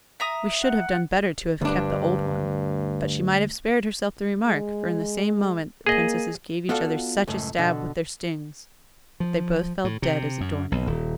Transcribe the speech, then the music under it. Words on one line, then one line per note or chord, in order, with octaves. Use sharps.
"We should have done better to have kept the old one." But she might have spared herself the remark, for in the same moment the Princesses gave each other such a stab with their stings that they both fell dead as a door-nail.
E5 A#5 D#6
F#5
D2 G2 D4
G#3
A#3 G#4 D#5
B3 F4 F#4 A4 D5 F5
C#2 F#2 A2
B2 D3
F3
A2
C3
F#2
B1
D#1